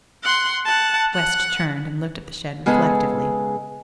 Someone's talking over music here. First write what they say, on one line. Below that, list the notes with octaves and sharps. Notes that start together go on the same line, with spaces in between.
West turned and looked at the shed reflectively.
F#5 C6
F#5 A5
F#5
C#3 G#3 B3 G#4 A4